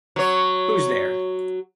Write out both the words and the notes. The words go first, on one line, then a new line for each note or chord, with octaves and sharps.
Who’s there?
F#3 C#5